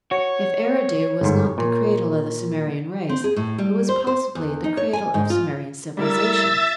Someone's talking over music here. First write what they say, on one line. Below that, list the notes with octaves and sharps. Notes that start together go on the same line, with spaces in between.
If Eridu was not the "cradle" of the Sumerian race, it was possibly the cradle of Sumerian civilization.
F#4 C#5
G1 G#2
A#2
C4
G#4
A2
G3
C5
C5
E2
D#4
C#5
G#5
G#2
F4
G3 E4 A#4 E5 E6 A6